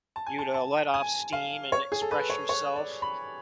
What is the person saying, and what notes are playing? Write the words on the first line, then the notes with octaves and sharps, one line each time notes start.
you to let off steam and express yourself.
A5
G#5
A5
A5
G#5
F5
C#5
G#4
A4
B4
C#5
C#5
D5
B5